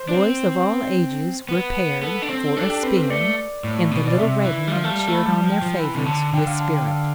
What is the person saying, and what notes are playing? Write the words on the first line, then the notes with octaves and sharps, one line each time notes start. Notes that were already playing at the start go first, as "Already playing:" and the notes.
Boys of all ages were paired for a "spin," and the little red men cheered on their favorites with spirit.
Already playing: C5
D4
C4
B3
B3 A4
D4
C4
D4 A4
G4
C4 B4
B4
A3 D5
A2
B2
D5
C3 E5
E3
G3
F3 F5
A3 A5
G3
A5
A3 B5
G3 A5
F3
G5
F3
E3 B5
C3
D3 A5
D3 G5
F5
A5
G5
F5